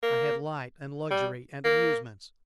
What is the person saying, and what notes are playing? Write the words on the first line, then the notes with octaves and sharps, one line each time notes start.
I had light and luxury and amusements.
A#3
G3
A#3